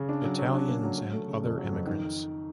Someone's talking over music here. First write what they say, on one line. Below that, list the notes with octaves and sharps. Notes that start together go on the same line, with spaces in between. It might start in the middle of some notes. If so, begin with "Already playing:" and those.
Italians and other immigrants.
Already playing: C#3
D4
F#3
F#3
D4
A#3
F#3
F#3
A3
C#3
F2
F#3
F2
D#3